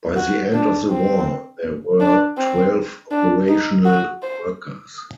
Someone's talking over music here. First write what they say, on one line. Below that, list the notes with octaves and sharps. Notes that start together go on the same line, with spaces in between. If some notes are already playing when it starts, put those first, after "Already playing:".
By the end of the war there were twelve operational workers.
F#4
D4
C4
D4
C4
D4
D#4
F#4
C5